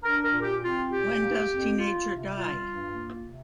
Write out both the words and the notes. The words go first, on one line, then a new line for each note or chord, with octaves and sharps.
When Does Teenager Die?
D4 A#4
A#4
A#2
G4
C4 F4
A#2 G4
A#3
F2
F4
C3
G3 F4
G2
A#3
C3